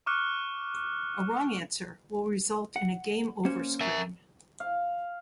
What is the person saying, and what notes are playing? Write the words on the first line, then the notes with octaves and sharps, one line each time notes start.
A wrong answer will result in a game over screen.
C#6 D6 F6 F#6 C#7
F#5
A#3 C#4 C5
A#4 E5
F5